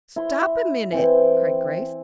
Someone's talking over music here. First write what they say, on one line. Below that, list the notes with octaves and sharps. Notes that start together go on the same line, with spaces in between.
"Stop a minute!" cried Grace.
E4 C6
E3 C4 G5